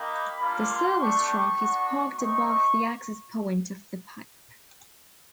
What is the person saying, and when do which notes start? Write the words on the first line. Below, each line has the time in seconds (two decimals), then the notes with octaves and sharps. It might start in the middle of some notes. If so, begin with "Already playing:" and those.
The service truck is parked above the access point of the pipe.
Already playing: A#3 D#4 G4 B5
0.39 G3 A#3 D4 F4
0.69 C6
0.98 A3 D4 G4 C#6
1.28 C#6
1.58 B3 D4 F#4
2.17 A3 C4 D#4 C#6